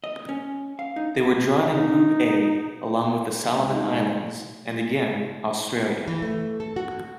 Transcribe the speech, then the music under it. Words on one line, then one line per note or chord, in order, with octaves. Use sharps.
They were drawn in Group A along with the Solomon Islands, and again, Australia.
D#5
C#4
F5
D#4
D#4
C#2
G#2
E3
A3
A4
F#4